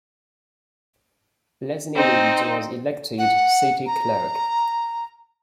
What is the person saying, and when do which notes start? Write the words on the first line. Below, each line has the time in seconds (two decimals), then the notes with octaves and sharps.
Leslie Reed was elected City Clerk.
1.95 C4 D#4
3.19 F#5
3.86 A#5